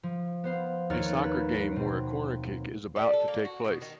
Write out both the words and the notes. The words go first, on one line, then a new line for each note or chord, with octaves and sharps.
A soccer game where a corner kick is about to take place.
F3
B3 C5 F5
D#2 B3 C#5 F6 A6
B4
B2 C4
G3
A4
A#3
F#4
B2
D#3